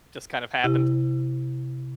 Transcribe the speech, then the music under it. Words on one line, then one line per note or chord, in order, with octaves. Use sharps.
just kind of happened?
C3 E4 G4